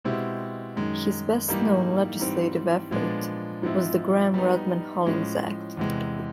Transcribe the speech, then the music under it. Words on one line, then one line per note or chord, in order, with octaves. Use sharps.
His best-known legislative effort was the Gramm-Rudman-Hollings Act.
B2 G#3 C4 E4 G4
F#2 D#3 G#3
G#2 E3 G3 A#3 D#4
G#2 E3 G3 C4
A#2 F3 G#3 B3 D4
G#2 F3 G#3 C4 E4
G3 B3 D#4
A2 F3 G#3 C#4
E2 C3 E3 G#3